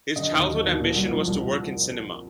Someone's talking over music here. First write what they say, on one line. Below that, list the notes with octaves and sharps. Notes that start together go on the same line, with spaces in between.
His childhood ambition was to work in cinema.
D3 D#5
D#2
F#3
D#2
A#2
C2
F3
C2